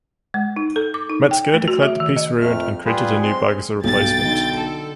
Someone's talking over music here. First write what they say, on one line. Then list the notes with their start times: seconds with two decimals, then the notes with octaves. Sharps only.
Metzger declared the piece ruined and created a new bag as a replacement.
0.34 G#3
0.57 D#4
0.76 A4
0.94 D6
1.10 D#4
1.31 G5
1.54 A3
1.68 F#4
1.83 E5
2.00 D#3
2.16 D#5
2.41 F2 A3 F6
2.86 G3 F4 G#4 B4
3.23 G#3 C4 C6
3.84 B1 G2 G5 A6
4.25 D3 D#4
4.55 A4